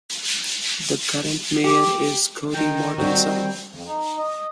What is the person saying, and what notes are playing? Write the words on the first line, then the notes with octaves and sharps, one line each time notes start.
The current mayor is Cody Mortensen.
G4
D#3 G5
G3 C4 F#4
F2
D#4
D#5